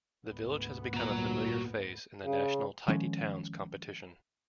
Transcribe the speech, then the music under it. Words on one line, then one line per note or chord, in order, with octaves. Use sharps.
The village has become a familiar face in the national Tidy Towns competition.
D2 G#2 B3
A#2 F#4 A#5
C#3
D#3 F3 G#3 C#4